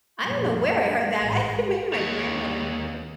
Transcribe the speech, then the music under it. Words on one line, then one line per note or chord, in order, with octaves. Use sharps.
I don't know where I heard that, I think maybe my grandmother is somewhere
F#2 A#2 F3 G3 G#3
F#3
A1 G#2 G#3
D#2 C#5